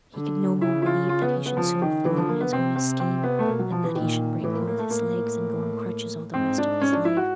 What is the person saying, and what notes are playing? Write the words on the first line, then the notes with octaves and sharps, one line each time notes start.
He could no more believe that he should so fall in his own esteem than that he should break both his legs and go on crutches all the rest of his life.
D3
C#3 E4
E4
F4
F4
B3
B3
F3
D#3
D3 E3
F3
A#3
B3
C3 C4
C4
C4
B3
A3
B2 A#3
F#3
F3
E3
A#2 D#3
A2 E3
A#3
A#3
A3
A2 A#3
G#2 C4
D4
C#4
D4
E4
F#4